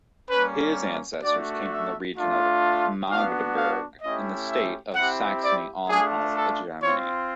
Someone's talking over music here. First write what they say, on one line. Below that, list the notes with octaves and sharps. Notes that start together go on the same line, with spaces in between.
His ancestors came from the region of Magdeburg in the state of Saxony-Anhalt, Germany.
G3 A#3 C#4 B4
A3 D4 F#4 D5
E5
A3 D4 F4
B3 D4 F#4 F5
F5
A3 C#4 E4 G4 D#5
E5
C4 E4 G4 F#5
D5
A3 D4 F4 G#4
A4
C4 F4 C#5